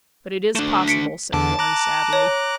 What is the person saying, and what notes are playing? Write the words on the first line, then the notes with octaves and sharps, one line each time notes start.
"But it is possible," said Bourne sadly.
A3 D4 E7
B6 C#7 D7
E2 D3 A5 D6
A#5 D6 F#6
C#5